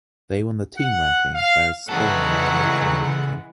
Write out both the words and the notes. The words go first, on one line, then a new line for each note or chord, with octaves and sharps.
They won the team ranking, whereas Spain won the national ranking.
F#5
F5
G2 C#3 E3 F#3 G#3 A4 F#5